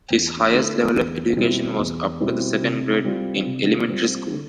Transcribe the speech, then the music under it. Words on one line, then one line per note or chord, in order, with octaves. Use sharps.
His highest level of education was up to the second grade in elementary school.
E2
D3 A3 E4
E2
B2 G3 C4 E4
E2
B2 G3 C4 E4
C3
G3 C4 F4
C3
G3 C4 F4
D3